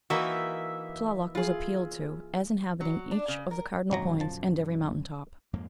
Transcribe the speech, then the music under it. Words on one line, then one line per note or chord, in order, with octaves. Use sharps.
Tlaloc was appealed to as inhabiting each of the cardinal points and every mountain top.
E3 A#3 D#4 F#4 E5
F4 G#4
F#3
D4
C#3
A#4
G#1 F#2 B2 D3 F#3 A#5
F3 A5
F2 G#2 A#3